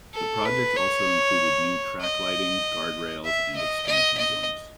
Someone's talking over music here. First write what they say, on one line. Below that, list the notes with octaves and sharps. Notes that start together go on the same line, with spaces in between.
The project also included new track lighting, guardrails, and expansion joints.
A4
B4
C#5
D#5
E5
D#5
D#5
D#5